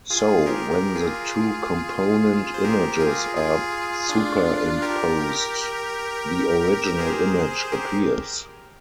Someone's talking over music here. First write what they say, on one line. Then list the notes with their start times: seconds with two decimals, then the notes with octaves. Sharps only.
So, when the two component images are superimposed, the original image appears.
0.10 F4 G#4
0.46 G4 A#4
0.70 G4 A#4
0.95 F4 G#4
2.54 C5
2.64 G4 A#4
3.00 F4 G#4
3.36 F4 G#4
4.09 D4 F4
4.82 G4 A#4
6.98 G#4 C5
7.72 G4 A#4